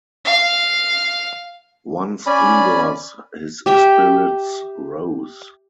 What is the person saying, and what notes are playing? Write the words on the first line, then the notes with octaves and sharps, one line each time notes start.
Once indoors his spirits rose.
F5
C#4 D5 G#5 B5
G4 E5 G5